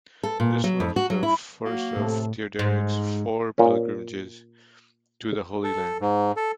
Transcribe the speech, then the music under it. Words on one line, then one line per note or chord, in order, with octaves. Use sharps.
This was the first of Theoderic's four pilgrimages to the Holy Land.
A4
A#2
F#3
F2
F#4
F#3
E4
F#3 A#3 F#4
A2 C3 A4
G#2
A#2 C#4
A4
G#2
A4